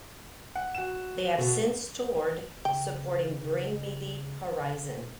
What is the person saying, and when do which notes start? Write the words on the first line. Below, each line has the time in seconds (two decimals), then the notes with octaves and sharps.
They have since toured supporting Bring Me the Horizon.
0.55 F#5
0.75 F#4 E7
1.38 B2
2.65 C#3 G5